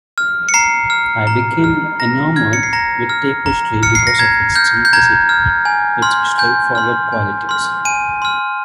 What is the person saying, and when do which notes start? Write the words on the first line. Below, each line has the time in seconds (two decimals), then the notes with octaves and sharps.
I became enamored with tapestry because of its simplicity - its straightforward qualities.
0.18 F6
0.49 C#7
0.54 A#5 C7
0.90 F6
1.27 A#5
1.64 F6
2.00 A#5 A#6
2.36 F6 G#6
2.53 C#7
2.63 C7
2.73 A#5 A#6
3.09 F6
3.46 A#5
3.83 F6 C#7
3.95 C7
4.07 A#6
4.19 A#5 G#6
4.56 F6 G6
4.85 G6
4.93 A#5 G#6
5.29 F6
5.65 G#5
6.02 C6 F6
6.38 G#5 G6
6.75 C6 F6
7.13 G#5
7.49 C6 F6
7.85 G#5 D#7
8.22 C6 F6